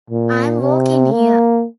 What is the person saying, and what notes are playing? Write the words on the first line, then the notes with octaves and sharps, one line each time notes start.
I'm walking here!
A#2
C3
A#3